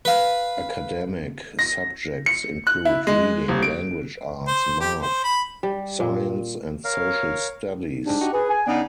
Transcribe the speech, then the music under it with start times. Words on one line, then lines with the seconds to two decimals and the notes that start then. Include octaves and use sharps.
Academic subjects include reading, language arts, math, science, and social studies.
0.05 B4 F5
1.59 A#6
2.26 C#7
2.67 F#6
2.85 E4
3.07 G#3
3.48 D#1
3.62 D7
4.47 C5
4.80 G4
5.02 C5
5.24 B5
5.63 G3
6.00 A#2
6.84 A#4 C#5 F5
8.06 G#2 G3 D4
8.20 D#4 F#4 G4
8.33 G#4 B4
8.50 G#5
8.67 C#3 B3 D4 D#4